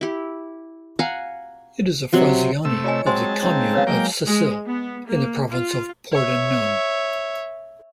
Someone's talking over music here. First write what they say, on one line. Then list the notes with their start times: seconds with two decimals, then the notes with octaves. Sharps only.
It is a "frazione" of the "comune" of Sacile, in the province of Pordenone.
0.01 E4 G4
0.99 F5 F#5 G#5 A#5
2.13 C3 F#3 C4
2.65 C3 A3 E6
2.84 F4 C#5 D#5 G#5
3.06 F#3 G#3 C4 C5 G#5 A5 C6
3.42 C#3 C4 D#4
3.74 B4 C#5 F5
3.87 F#3 G#3 A#3 G5 G6
4.27 G#3
4.66 B3
5.07 A#3
5.48 F4
6.12 C#5 E5